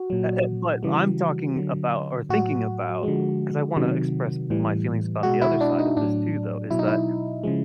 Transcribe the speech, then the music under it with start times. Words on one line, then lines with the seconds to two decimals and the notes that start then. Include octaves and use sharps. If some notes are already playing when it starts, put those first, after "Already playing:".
Eh eh, but I'm talking about or thinking about- 'cause I wanna express my feelings about the other side of this too, though- is that
Already playing: F#4
0.10 A#2 F#3
0.83 C#3 E3 G3
1.56 D3 F#3
2.29 A2 F#3 F#4
3.03 D3 F3 G#3
3.77 C3 D#3 F#3
4.50 A2 E3 G3
5.23 B2 G#3 F#4
5.42 E4
5.61 D4
5.79 D#4
5.97 A2 D4
6.02 F#3
6.70 B2 F#3 E4
6.79 D#4
6.88 E4
7.43 C#3 F3 G#3